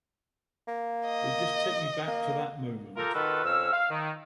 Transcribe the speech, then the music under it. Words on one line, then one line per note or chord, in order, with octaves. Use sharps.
They just take me back to that moment.
A#3
D#5
A#3
F4 G4 A4 A#4
D#3 F4 F#4 A4 B4
F2 C#4 F5 E6
F5
D#3